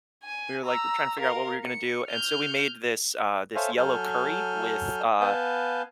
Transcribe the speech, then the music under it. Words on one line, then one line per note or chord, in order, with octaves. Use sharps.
we were like we're trying to figure out what we were gonna do, and so we made this, uh, this yellow curry with, uh,
G#5
A#5 E6
A#4 F5
C#7
F6 G6
A4 C5 C#5 E5 F5 G#5
F#3 A4 G#5 F6 G6
B3 B4 F5 G#5 A5 G6